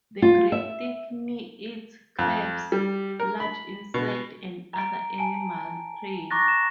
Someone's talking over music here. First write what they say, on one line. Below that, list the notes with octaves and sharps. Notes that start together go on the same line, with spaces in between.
The great thick-knee eats crabs, large insects, and other animal prey.
F4
E5
F2
G3
A#4
B5
B2
A#5 D7
G#5 A5 D7
A#5 C#6 D6 F#6 A6 A#6
E7